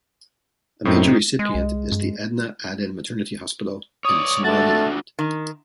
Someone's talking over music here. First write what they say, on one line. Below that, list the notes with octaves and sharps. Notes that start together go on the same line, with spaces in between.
A major recipient is the Edna Adan Maternity Hospital in Somaliland.
F#2 A2 C4 D#4
G#3
C2
G2
C#5 D5 D#6
A3 D4 F#4 A6
D#3